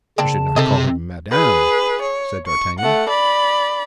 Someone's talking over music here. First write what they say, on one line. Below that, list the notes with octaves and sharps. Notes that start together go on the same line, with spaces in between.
"You should not call her madame," said D'Artagnan.
C#3 A#3 C4 D4 A5
C3 D#3 A4 D#5
G#4 B4
C#5
C#6
A3 F#5
D5 B5